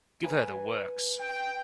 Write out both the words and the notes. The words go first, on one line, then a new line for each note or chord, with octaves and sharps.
Give her the works.
B4 G#5 B5
G5